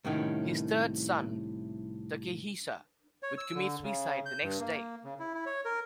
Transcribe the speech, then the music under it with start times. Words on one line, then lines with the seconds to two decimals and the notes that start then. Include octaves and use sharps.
His third son Takehisa would commit suicide the next day.
0.05 C2 A2 D#3 C#4
3.23 C#5
3.38 E6
3.55 D3
3.83 C#3
4.26 G6
4.43 G2
4.59 A#3
5.04 C#3
5.19 E4
5.35 E4
5.46 C#5
5.65 A#4